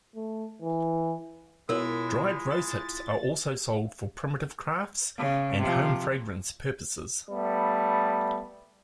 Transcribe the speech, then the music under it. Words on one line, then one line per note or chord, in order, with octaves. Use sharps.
Dried rose hips are also sold for primitive crafts and home fragrance purposes.
A3
E3
B2 G#3 E4 F4 A#4 C#5
A6
C#3
C3 F3
G3 A3 B3